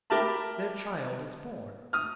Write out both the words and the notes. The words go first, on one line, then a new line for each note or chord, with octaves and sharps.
Their child is born.
G4 A#4 E5 A5 B5
D#6 F6